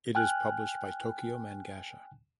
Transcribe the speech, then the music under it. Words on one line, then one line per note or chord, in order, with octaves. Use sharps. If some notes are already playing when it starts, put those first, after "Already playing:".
It is published by Tokyo Mangasha.
G5 G#5 F6 F#6